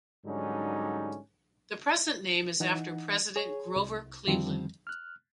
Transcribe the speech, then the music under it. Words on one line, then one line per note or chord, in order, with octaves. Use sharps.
The present name is after President Grover Cleveland.
G#2 D3 F#3 G3 C#4 D#4
E3 D#4 F#5
G#4 C#5
C2
F2 D3 D#3 F3 G3 C4
F6 F#6